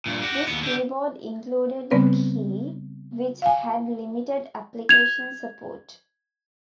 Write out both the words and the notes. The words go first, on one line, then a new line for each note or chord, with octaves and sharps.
This keyboard included a key which had limited application support.
G2 A#2
F#4 G4
D#2 B3
D3 G4
C#3 G3 B3 C4 B4 C5
F5 G#5
G#6 F7